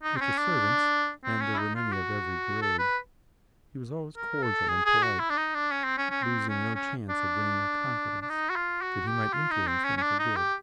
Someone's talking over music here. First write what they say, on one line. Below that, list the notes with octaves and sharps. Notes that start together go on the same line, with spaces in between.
With the servants, and there were many of every grade, he was always cordial and polite, losing no chance of winning their confidence, that he might influence them for good.
D#4
C4
C#4
D4
C4
C#4
E4
D#4
F4
F#4
A4
B4
A#4
A4
G#4
G#4
F#4
E4
D4
D#4
D4
C#4
C4
C#4
C#4
C4
C#4
C#4
D4
D4
D#4
F#4
F4
F#4
G4
F4
D#4
C4
C#4
C#4
D4
D#4
G4